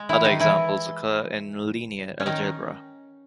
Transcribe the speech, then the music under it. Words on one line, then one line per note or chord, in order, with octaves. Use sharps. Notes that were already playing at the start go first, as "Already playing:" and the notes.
Other examples occur in linear algebra.
Already playing: G#3
E3 E4
D#3 D#4
E3 E4
C#4
D#3 D#4